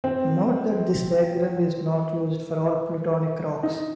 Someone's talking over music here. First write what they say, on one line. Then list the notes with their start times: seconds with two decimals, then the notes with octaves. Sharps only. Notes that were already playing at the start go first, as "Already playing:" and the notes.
Note that this diagram is not used for all plutonic rocks.
0.04 C4
3.63 D#4